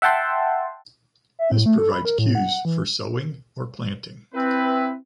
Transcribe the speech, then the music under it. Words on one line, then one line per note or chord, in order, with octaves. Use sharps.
This provides cues for sowing or planting.
E5 F#5 G5 A5 C6
E5
A2
A3
A4
B5
A#4
A2
F#5
E3
C4 E4 B4